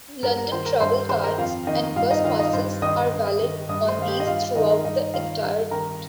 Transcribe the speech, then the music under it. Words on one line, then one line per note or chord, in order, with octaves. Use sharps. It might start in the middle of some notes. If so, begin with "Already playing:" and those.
London Travelcards and Bus Passes are valid on these throughout the entire route.
G2 A#4
A#4
D#3 C5
A#4 A#5
G2 C5 C6
D#3 C5 C6
A#4 A#5
F2 F4 F5
D#3 D#4 D#5
G2 F4 F5
D#4 D#5
D#3 F4 F5
D#4 D#5
G2 C5
D#3 D#5 D#6
G2
D#3
G2 D#5 D#6
C5 C6
D#3 F5
G4 G5
D#5
G2 F4 F5
F4 F5
D#3 D#4 D#5
A#4
G2 D#4 D#5
D#3 F4 F5
G2
D#3 A#4 A#5